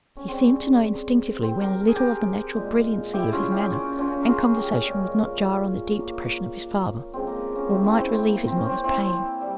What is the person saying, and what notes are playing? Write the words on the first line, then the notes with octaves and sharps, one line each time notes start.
He seemed to know instinctively when a little of the natural brilliancy of his manner and conversation would not jar on the deep depression of his father, or might relieve his mother's pain.
C#4
C#3 G3 C4
C4
G4 A#4
A#4
G#4
G4 A#4
A#2 G#3
E4 G4
E4
C#4 F4
E4 G4
C#4 F4
C#4 F4
A#4
F4 G#4
G4 A#4
A#2 G#3
A#3
C#3 F3 G#3 C4
A#3
A#3 C#4
C4 E4
C4 E4
C4 E4
C4
A#3
C4
C#4
C4
C4 E4
G3